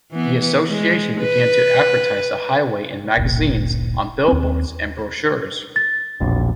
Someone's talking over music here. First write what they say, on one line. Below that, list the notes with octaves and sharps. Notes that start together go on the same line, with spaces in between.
The association began to advertise the highway in magazines, on billboards, and brochures.
E3 B3
G#3
B4
D1 G1 A#2
D#2 C4
A6
E1 A#1